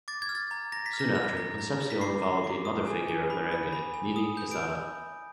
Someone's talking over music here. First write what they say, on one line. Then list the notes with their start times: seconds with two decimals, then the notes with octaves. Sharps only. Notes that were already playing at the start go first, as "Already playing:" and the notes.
Soon after Concepcion followed the "mother figure" of merengue-Milly Quesada.
0.08 D6 A6
0.22 G#6
0.29 F6
0.35 A6
0.51 A#5
0.72 A#5 A#6
0.86 B6
0.93 F6
0.99 A#6
1.15 F6
1.37 A#5
1.58 A#5
1.80 F6
1.90 B6
2.01 D6 C7
2.22 A#5
2.44 D6
2.65 D#6
2.87 G#5
3.08 G#5
3.30 B5
3.52 B5
3.73 B5
3.94 G#5
4.16 D#6
4.37 G6
4.51 D7